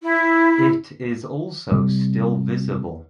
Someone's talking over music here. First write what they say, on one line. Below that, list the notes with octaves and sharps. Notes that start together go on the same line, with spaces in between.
It is also still visible.
E4
C3 G3